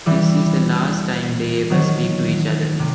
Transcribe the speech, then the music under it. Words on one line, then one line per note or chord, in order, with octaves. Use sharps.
This is the last time they ever speak to each other.
E3 G3
D#3 F#3
C3